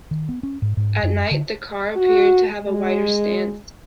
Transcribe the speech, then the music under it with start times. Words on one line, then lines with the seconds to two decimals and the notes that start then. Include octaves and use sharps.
At night, the car appeared to have a wider stance.
0.11 D#3
0.29 B3
0.43 C#4
0.62 G#2
0.77 G#2
1.03 F#2
1.31 D3
1.96 F#4
2.67 G#3